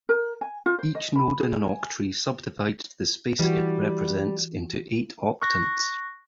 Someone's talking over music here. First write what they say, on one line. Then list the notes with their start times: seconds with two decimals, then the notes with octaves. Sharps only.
Each node in an octree subdivides the space it represents into eight octants.
0.09 A#4
0.41 G#5
0.66 F4
0.79 C5
0.95 D#5
1.16 B5
1.41 G#4
1.66 G#5
3.39 E3 G3 F#4
5.42 C#6 F#6 A#6